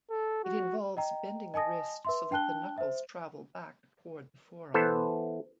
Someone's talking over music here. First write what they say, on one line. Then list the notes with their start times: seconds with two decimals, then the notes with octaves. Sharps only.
It involves bending the wrist so that the knuckles travel back toward the forearm.
0.10 A4
0.44 F#4
0.97 D#5 G5 A#5
1.54 D#5 G#5 A5 D#6 A#6
2.05 B4 E5 C6
2.31 D4 G5 A5 F#6 G7
2.78 C5 E5
4.74 E3 B3 A4 C5